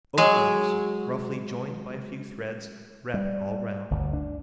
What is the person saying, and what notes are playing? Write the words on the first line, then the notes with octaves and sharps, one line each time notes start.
Oak-leaves, roughly joined by a few threads, wrap it all round.
F#3 G#3
G3
G1 D2
D4